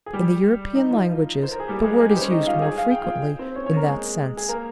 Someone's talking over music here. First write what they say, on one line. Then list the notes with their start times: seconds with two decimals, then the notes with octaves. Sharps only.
In the European languages the word is used more frequently in that sense.
0.06 G#4
0.13 G3 G4
0.75 D#4
0.91 F3 F4
1.43 C5
1.51 A#4
1.60 G#4
1.68 G3 G4
1.84 G#3 G#4
1.93 A#4
2.00 G#3 G#4
2.10 G3 G4
2.16 C5
2.20 C#4 C#5
2.31 D#4 D#5
2.47 F4 F5
2.62 G#4 G#5
2.78 F5
2.91 G5
3.04 F4 F5
3.39 C4 C5
3.55 C#4 C#5
3.66 C#4 C#5
3.76 A#3 A#4
3.86 G#3 G#4
4.37 G#4
4.49 A#3 A#4